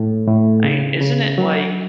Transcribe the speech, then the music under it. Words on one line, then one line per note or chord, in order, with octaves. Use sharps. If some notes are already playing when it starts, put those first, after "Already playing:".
I mean, isn't it, like,
Already playing: A2
A2
C#3
C#3
F#3